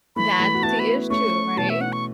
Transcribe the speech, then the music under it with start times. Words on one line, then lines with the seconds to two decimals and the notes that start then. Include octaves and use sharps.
That's the issue, right?
0.16 E3 A3 B5
0.39 E3 A3
0.54 F#4
0.63 B3 E4 A5
0.79 B5
1.10 A3 C#4 C#6
1.57 B2 E3 A5
1.69 E5
1.81 F#5
1.92 C#6